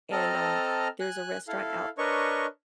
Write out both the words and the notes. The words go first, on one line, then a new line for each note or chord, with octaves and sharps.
and, um, there's a restaurant out
C4 A4 D#5 A5 A#5 F6
G#5 F#6
E4 A4 F5
D4 A#4 B4 C#5 D#5 C#6